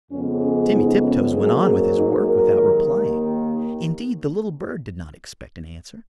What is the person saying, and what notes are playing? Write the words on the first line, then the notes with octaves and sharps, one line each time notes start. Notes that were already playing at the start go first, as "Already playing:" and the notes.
Timmy Tiptoes went on with his work without replying; indeed, the little bird did not expect an answer.
F2 C#3 G#3 B3 C#4
C#4
D#4
C#4
G#2 F#3 A#3 G#4
C#4
D#4
A#4
D#2 D#3 A#3